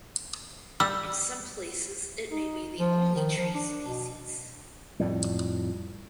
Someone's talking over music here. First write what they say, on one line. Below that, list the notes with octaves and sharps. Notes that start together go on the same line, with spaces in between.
In some places it may be the only tree species.
G3 E6
D#4
F3
D#3
F3
D4
B2
F2 A2 G3